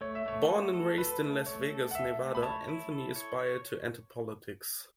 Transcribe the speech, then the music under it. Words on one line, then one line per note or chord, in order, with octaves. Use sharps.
Born and raised in Las Vegas, Nevada, Anthony aspired to enter politics.
A3 C#5
E5
A3 C#5
F#4
A4
A4 B4
A3
A3 C#5
A4
F#5
A4 E5
A3
B5
C#5 A5
E4
A4
C#5
C#5